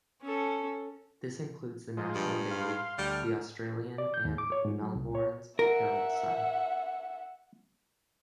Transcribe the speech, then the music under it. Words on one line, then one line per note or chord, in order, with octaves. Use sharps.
This includes the national daily "The Australian" and Melbourne's "Herald Sun".
C#4 A4
F3 G#3
G2
F5 C6
D2 G3 F6
D5
G6
D#2
D6
C#5
G#2
F#3
C2
C#5
A#4 E5 F#5